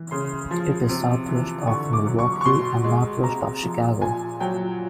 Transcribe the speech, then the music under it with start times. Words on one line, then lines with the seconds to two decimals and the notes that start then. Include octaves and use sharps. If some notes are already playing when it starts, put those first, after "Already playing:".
It is southwest of Milwaukee and northwest of Chicago.
Already playing: E3
0.11 C#3 C6
0.51 F3
0.89 C3
1.29 E3
1.67 D3 C#6
1.93 D6
2.07 F#3
2.19 C#6
2.41 C#6
2.45 B2 C6
2.84 G#3
3.23 C3 A#5
3.63 F3
4.01 A#2 G#5
4.40 F#3 G5